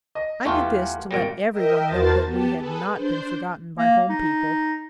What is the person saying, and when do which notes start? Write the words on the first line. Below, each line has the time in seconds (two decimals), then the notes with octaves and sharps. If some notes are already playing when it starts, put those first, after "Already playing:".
I did this to let everyone know that we had not been forgotten by home people.
0.15 D#5
0.45 E2 A3 F4 G4 C#6
1.11 G#1 A#2 G3 A#6 C#7 D7
1.51 A#4 D#5 E5 G5
1.85 E2 F#4 A#4 C5 A5 A6
2.26 B3 G4 A5
2.56 G#4 A4 B4
2.94 D4 C5 G6
3.78 A#3
4.09 D#4